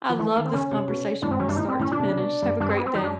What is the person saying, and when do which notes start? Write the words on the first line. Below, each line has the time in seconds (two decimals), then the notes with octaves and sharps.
I loved this conversation from start to finish. Have a great day.
0.09 F3
0.19 E3 A3
0.36 D#3
0.46 C4
0.53 C#3 C#4
0.71 C3
0.88 B2
1.22 A2 D4
1.31 G#2 C4
1.39 F#2 C#4
1.48 G2 D4
1.56 A2 D#4
1.68 C4
1.79 A2 C#4
1.91 A#2 D4
2.00 C3
2.09 C#3
2.17 B2
2.42 G2
2.60 G2 D4
2.69 C4
2.77 B3
2.86 C4
2.95 F#2 D#4
3.03 D4